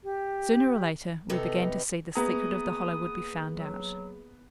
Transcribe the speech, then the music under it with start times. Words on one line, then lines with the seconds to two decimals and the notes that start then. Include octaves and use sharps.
Sooner or later we began to see the secret of the Hollow would be found out.
0.04 G4
1.29 C3 B3 D#4 A4
2.15 A#3 B3 G#4 A#5 D#6 G#6
3.56 F#3